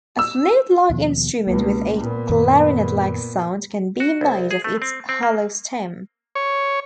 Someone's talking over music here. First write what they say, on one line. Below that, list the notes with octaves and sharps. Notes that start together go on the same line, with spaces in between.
A flute-like instrument with a clarinet-like sound can be made of its hollow stem.
E6
D#2 B2 F3
C#2 B2 A#3
A#2 B3
F#2 D#3
F#4
C2
G#4
A3
C4
C4
A#3
C#5